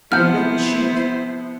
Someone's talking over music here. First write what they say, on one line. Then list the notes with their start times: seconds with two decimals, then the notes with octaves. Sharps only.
And the red cheeks!
0.12 C3 F3 B3 E4 C5 F#5 F6 G6